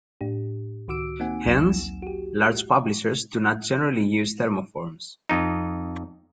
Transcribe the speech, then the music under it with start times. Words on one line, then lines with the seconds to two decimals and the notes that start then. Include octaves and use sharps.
Hence large publishers do not generally use thermoforms.
0.21 A2 D4 G4
0.88 C#2 D#3 F#4 D6 E6 D7
1.20 A#3 C4 D#4 F#5 G#5
1.45 A#1 D#2 F#3 E7
2.02 F#4 G4
5.29 F2 D#4